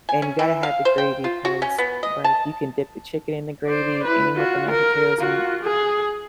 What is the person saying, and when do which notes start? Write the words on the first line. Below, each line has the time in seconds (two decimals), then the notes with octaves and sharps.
and you gotta have the gravy 'cause, like, you can dip the chicken in the gravy, and with the mashed potatoes and
0.09 G#5
0.22 C#4
0.39 E3
0.63 F5
0.85 C5
0.98 G5
1.24 F4
1.45 F#4
1.62 C#4
1.78 B3
2.03 D#5
2.24 A5
3.67 C5 D5
4.03 E4 B4
4.35 F4 F#4
4.70 A#4
5.19 F4 F#4
5.63 G#4